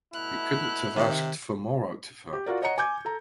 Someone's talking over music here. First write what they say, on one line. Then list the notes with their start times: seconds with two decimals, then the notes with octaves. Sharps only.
We couldn’t have asked for more out of her.
0.14 B2 A3 E4 F6 F#6
0.96 C3 D#3
2.33 G4
2.46 F4 F#4 A#4 D5
2.62 C#5 D#5 F#5 A#5 C#7
2.78 G#5 D6 G6 G#6
3.05 A4 A#5